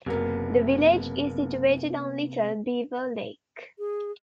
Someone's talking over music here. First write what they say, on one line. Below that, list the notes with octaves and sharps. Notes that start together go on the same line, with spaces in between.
The village is situated on Little Beaver Lake.
F#1 C3 A#3 B3 A#4
G#4